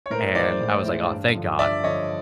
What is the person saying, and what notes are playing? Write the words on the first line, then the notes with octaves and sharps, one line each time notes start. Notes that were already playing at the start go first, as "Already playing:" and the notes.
and I was like, "Aw, thank god,"
C#5
A2 A#4 C5
E3 G#3 C5 D5
A2
E3 G#3
G2
D3 F3
G2 D5 E5
D3 F3 C#5 D#5